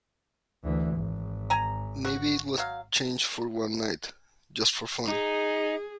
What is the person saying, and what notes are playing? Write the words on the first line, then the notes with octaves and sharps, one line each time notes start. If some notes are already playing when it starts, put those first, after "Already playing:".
Maybe it was changed for one night ... just for fun.
D2 E3
G#1
G#5 A#5
F#4
F#3 F5
D#4 G#4